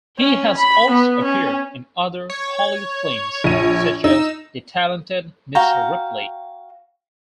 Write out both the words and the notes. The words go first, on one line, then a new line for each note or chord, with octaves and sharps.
He has also appeared in other Hollywood films, such as "The Talented Mr. Ripley".
C#4
B5
B3
C#4
C#5
A#1 D#7
D#4 E6
F#4 F5 G5 A#5